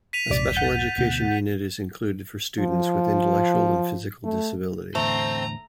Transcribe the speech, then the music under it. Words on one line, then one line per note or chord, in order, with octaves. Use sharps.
A special education unit is included for students with intellectual and physical disability.
B6 D#7 F7
D#1 A#1 G#2 C3 D5
F#5 G6 A6
D2 B2
F3
A3
E2 A2 D3 A3 C5 G5 A#5